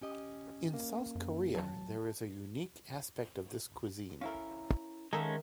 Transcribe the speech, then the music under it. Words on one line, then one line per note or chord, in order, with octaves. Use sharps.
In South Korea there is a unique aspect of this cuisine.
C#4 G4 D#5
A#3
F#2
F#3 A5
C#4 E4 A4 A#4 E5 F5
D#3 G#3 C#4 D#4 A4 E5 F5 A#5